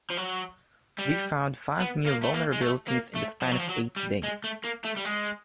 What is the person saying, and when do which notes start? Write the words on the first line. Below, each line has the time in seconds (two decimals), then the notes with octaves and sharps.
We found five new vulnerabilities in the span of eight days.
0.10 F3
0.17 F#3
0.98 G3
1.80 B3
2.07 A#3
2.23 A3
2.34 A#3
2.52 G#3
2.61 A3
2.88 A#3
3.15 A3
3.42 F3
3.51 F#3
3.60 F3
3.70 F#3
3.96 G3
4.23 G#3
4.44 A3
4.64 A#3
4.85 A3
4.97 G3
5.05 G#3